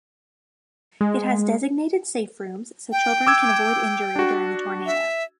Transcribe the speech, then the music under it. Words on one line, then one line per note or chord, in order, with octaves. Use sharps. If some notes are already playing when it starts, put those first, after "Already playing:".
It has designated safe rooms so children can avoid injury during a tornado.
G#3
G5
D6 E6 G#6
D4 F#4
E5